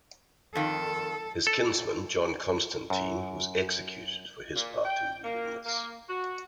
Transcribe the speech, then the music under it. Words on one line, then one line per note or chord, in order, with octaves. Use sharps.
His kinsman John Constantine, was executed for his part in leading this.
F2 D#3 A4
A4
F#2
A#2
G5
A#3
A#3
F#4